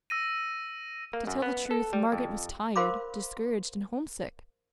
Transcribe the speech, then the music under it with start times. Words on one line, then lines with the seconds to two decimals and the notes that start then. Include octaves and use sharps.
To tell the truth, Margaret was tired, discouraged, and homesick.
0.10 E6 A#6 D#7
1.13 A#3
1.27 F#2
1.42 B3
1.71 A4
1.93 G3
2.12 F2
2.76 A#4 C5 F5 B5 C6 D6